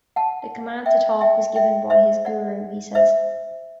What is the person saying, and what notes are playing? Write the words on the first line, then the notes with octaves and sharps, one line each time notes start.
The 'command' to talk was given by his Guru, he says.
F#5 A5
E5 G5
E5 G5
E5 G5
C5 E5
D5 F#5
C5 E5